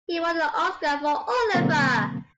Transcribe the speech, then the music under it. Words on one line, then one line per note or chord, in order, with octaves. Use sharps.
He won an Oscar for Oliver!
B2 D3 F#3 A#3 C4